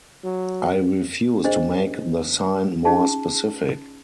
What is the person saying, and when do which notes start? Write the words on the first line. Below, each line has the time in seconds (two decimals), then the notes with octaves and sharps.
I refuse to make the sign more specific.
0.24 F#3
1.44 D4 G#4 C5 D#5
2.85 C#4 D#4 F4 G#4 A5